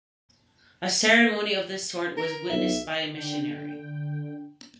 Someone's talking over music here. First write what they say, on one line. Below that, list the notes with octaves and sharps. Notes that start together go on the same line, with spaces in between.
A ceremony of this sort was witnessed by a missionary.
A#4
B1 E5
D3 G5